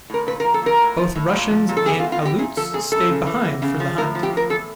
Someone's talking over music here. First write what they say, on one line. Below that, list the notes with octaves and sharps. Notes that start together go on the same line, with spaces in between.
Both Russians and Aleuts stayed behind for the hunt.
A2 A#4
A#2 B4
A#4
F3
A4
A#2 A#4
A2
F3
A2
A#2
F3
A#2
A4
E2 G#4
F4
B2
F4
E2 G4
A#2 G#4
F3 A4
A#2 G#4
F#2 A4
C#3
E3
E2
C#3
F3
A2 A#4
F3
G4
A2 A#4
E2 A4